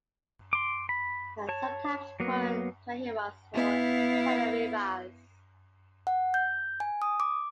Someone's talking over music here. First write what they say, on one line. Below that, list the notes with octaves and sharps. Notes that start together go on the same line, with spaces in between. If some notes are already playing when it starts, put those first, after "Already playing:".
They are sometimes called trahiras or tarariras.
C6 D6
B5
C#5 A5
F#3 A#3 B3
B3 E4 F5
F#5
G6
G#5
D#6
D6